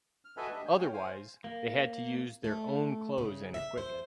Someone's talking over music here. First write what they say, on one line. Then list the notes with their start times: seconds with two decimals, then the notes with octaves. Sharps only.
Otherwise, they had to use their own clothes and equipment.
0.25 F6
0.37 F#4 A4 B4 D#5 E5 G#5
0.53 G3 D4 D#5 E5
0.66 G#5 G6
0.78 A3 C#4 C#5 F5 G5
0.93 C5 F5 G#5
1.44 A#3
2.44 A3
3.18 C#3
3.54 E5
3.78 C5